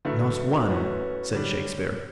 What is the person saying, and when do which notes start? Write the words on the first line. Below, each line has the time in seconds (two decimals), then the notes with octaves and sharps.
"Not one," said Shakespeare.
0.05 G2 D3 F#3 A3 E4 B4
0.21 B4
0.64 B4
0.69 E3 A3 C#4 F#4 C#5
0.80 B4
0.90 B4
1.01 C#5
1.33 D3 G3 D4 C#5
1.49 C#5